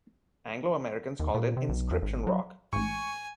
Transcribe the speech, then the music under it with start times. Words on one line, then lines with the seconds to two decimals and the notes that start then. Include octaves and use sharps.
Anglo-Americans called it Inscription Rock.
1.20 D#2
1.34 A#2
1.57 C3
1.69 B1
1.91 E2
2.02 G#1
2.27 F#3
2.73 A1 G#2 G#5 C#6